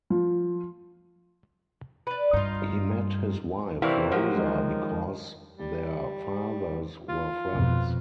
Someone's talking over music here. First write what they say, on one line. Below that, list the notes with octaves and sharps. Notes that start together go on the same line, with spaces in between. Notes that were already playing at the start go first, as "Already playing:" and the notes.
He met his wife Rosa because their fathers were friends.
F3
B4 D5
G2 D#4 F4
C3 E3 A#3 E4 C5 D5 C#6
F#2 F3 F#3 G4 A#4
D#3 G#3 D#5
G3
F4
F2 B2